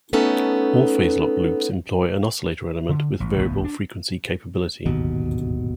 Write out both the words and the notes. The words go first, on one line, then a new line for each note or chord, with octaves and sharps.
All phase-locked loops employ an oscillator element with variable frequency capability.
A3 B3 C#4 D#4 A4
D3
A1
D1 A1 E2 B3
D4
D1 G#1 D#2 B2